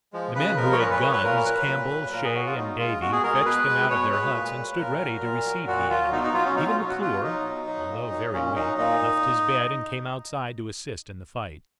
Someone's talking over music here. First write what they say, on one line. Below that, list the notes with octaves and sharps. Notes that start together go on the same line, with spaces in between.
The men who had guns--Campbell, Shay, and Davy--fetched them out of their huts and stood ready to receive the enemy; even McClure, although very weak, left his bed and came outside to assist in the fight.
F3 G#3
C#3 B4
F3 G#3 A#4
C#5
A#2 B4
B4
F#3 C#5
B4
A#2 A#4
F#3 B4
A#2
F#3
A#2 A#4
G#4
F#3 F#4
F4
B2 D#4
G#3 F4
B2 F#4
G#4
G#3 A#4
G#4
B2 B4
G#3
B2 C#5
G#3 B4
A#2
F#3
A#2 A#4
F#3
A#2
F#3
A#2 F#4
F#3 F4
B2 D#4
D#4
F#3 F4
C#4
B2 D#4
F4
F#3
F#4
B2 F4
F#3 D#4
B2
F#3
A#2
F#3
A#2 C#4
F#3 D#4
A#2 D#4